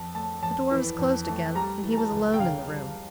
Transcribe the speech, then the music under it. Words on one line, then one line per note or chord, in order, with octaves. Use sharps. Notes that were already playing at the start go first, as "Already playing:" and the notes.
The door was closed again, and he was alone in the room.
Already playing: F2 A5
A3 A5
F2 A5
E3
F2
A3
G3 A#5
E3
A#5
A5
C#2
G5
C#3 F5
G3